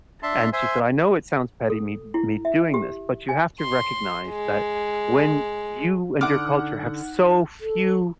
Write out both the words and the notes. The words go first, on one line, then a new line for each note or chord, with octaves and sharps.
And she said, "I know it sounds petty me me doing this, but you have to recognize that when you and your culture have so few
D4 E5 A5 C6
C5 E5 G#5 C6
A4
E4
E5
G4
G#5
C6
G#3
D3 D#4 F#5 D6 F6
A4